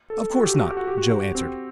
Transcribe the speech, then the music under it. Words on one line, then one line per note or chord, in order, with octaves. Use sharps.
"Of course not," Joe answered.
A4
F#4
G4
F#4
G4
F#4
G4
F#4
C4